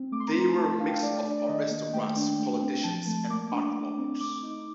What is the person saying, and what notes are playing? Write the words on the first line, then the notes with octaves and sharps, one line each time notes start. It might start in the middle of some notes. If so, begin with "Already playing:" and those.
They were a mix of aristocrats, politicians and art-lovers.
Already playing: C4
A3 D6
C6
A#5
C4 C6
A3 A5
D4 F5
G5
F5
A3 D5
D4
D5
D#3 D#5
A#3
A3 G5
D4
A3
C4
F3 A5
A3
A#3 D6
D4
A3
C4
A3 D6
D#4